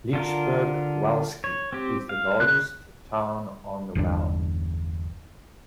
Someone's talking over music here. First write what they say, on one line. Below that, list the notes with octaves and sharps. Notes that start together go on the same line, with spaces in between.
Lidzbark Welski is the largest town on the Wel.
D3 F4 A#4
C#5
C4 G4
F5
C#3 F#6
G1 E2 A#2 D4